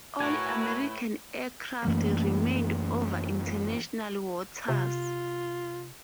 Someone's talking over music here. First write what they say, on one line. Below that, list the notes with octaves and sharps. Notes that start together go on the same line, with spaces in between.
All American aircraft remained over international waters.
A2 E4 F#4 A#4 B4 C#5 G#5
F#2 E3 A3 A#3
C3 F4